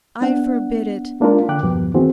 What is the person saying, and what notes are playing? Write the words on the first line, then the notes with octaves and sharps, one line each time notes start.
I forbid it.
B3 D4 F#5
G#3 A#3 D4 D#4 F4 A#4
D3 G5 D6 F#6
E2 G2 B2 F3 G3 B3
D#3 E3 A#3 C4 F#4 G#4